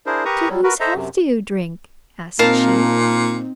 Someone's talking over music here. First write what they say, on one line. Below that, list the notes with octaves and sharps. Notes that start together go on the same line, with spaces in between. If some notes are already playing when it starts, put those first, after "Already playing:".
'To whose health do you drink?' asked she.
D4 E4 G#4 A#4 C5
G4 A#4 B4 A#5 C#6 D#6
F#3 G3
F#4 A#4 B4
A4 C5 D#5 E5 A#5
F#2 C3
A#2 C4 D#4 A#4 F5 A5